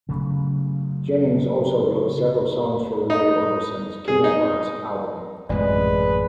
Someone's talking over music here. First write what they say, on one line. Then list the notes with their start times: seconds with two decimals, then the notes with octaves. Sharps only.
Jennings also wrote several songs for Roy Orbison's "King Of Hearts" album.
0.09 C#3 F#3 A3
3.10 D#4
4.08 G#4
4.24 D#4
5.49 A1 F#2 C3 G#3 B4 D5